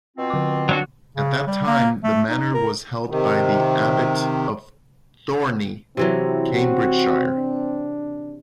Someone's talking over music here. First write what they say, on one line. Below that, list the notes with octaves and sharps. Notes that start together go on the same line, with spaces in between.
At that time the manor was held by the Abbot of Thorney, Cambridgeshire.
B2 C4 F4
D3 D6
F#3 D4 F#4
C#3
G3
A#3
A3
D#4
A#4
C3 D#3
C3 E3 F#3 C4 E4
F#4
D4